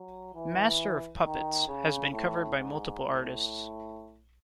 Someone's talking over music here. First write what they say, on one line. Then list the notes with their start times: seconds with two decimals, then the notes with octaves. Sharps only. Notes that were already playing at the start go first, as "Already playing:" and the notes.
"Master of Puppets" has been covered by multiple artists.
Already playing: F#3
0.34 E3
1.23 D#3
1.68 C#3
2.12 A2
2.57 G#2
3.01 A2